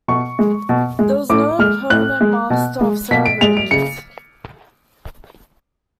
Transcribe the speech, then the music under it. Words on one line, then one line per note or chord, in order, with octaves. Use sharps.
There was no permanent master of ceremonies.
B2 C#6
G#3
B2
G#3
A2 D6
G#3 F6
A2 F#6
G#3
B2
G#3
B2 B6
D7
G#3 F7
D7
C#3 C#7